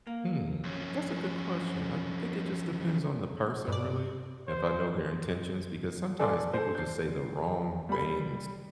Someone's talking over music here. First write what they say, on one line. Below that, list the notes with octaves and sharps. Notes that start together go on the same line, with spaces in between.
Hmm. That's a good question. I think it just depends on the person, really, if I know their intentions because sometimes people just say the wrong things
A#3
F2 C#4
G2 D5
C5
A4 D5 G#5 C6 D6
A4 C5
G6 C7
G3 B5